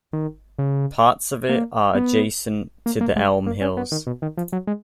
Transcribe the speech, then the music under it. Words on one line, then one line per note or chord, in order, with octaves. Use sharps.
Parts of it are adjacent to the Elm hills.
D#3
C#3
A#3
B3
A#3
A#3
G#3
A#3
C#4
B3
D#3
B2
D#3
F3
F#3
G#3